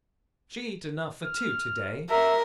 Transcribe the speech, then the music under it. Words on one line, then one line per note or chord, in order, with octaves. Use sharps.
She eat enough for two to-day.
F6
A#4 E5